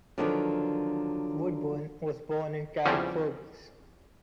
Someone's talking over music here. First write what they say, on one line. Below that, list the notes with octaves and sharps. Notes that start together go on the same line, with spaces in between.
Woodburne was born in Carrickfergus.
D3 D#3 F3 F#3 B3 D4
E2 C#3 F3 G3 C4